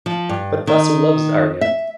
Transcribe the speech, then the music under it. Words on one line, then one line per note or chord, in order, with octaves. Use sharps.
But Vasu loves Arjun.
F3
G2
D#3
E5